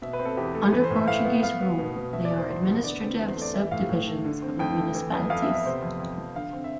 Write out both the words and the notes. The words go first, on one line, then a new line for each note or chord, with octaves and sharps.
Under Portuguese rule, they were administrative subdivisions of the municipalities.
B2 E5
B4
C4
A4
E2 G4
A3
E3 B4
C5
A2
E5
A2 F5
B3
B3 F5
B3
B2
B2
B2 E5
D5
E2
C5
E2 C5
B3
D3 D5
C4
E2
C5
A3 D5
E3 E5
A2 F5
A2
A3
D3
C4
F2 G5
A3
E3
F2
F2 F5
E5
B3
E5
C3 C5
F2
F2
F3
D3 F5
C4
E5